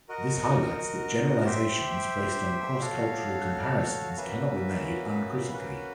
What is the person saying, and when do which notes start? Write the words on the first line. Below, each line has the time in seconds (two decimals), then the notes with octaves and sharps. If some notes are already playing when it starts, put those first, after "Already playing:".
This highlights that generalizations based on cross-cultural comparisons cannot be made uncritically.
0.09 F#4 A#4 D#5 F#5
1.45 G4 C5 E5 G5
2.81 F#4 A4 C#5 F5
4.17 A#3 C#4 F#4 B4 E5
5.53 A#3 C#4 F#4 B4